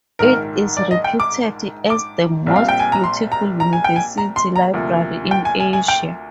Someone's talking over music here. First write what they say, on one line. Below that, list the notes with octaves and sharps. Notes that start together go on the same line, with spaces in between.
It is reputed as "the most beautiful university library in Asia".
A#1 G#2 D#3 A#4
D5
D#5
G5
D6
D6
A#1 A#2 G3 C4
F5
G5
G#5
A#5
C6
A#5
A#5
G#5
G5
G#5
A#5
C6
A#5
D2 C3 F3 A#3
G5
G#5
G#5
G#5
G5